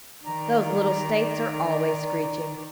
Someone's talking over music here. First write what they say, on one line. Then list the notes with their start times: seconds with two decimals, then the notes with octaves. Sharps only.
Those little states are always screeching.
0.25 D#3 D5 A#5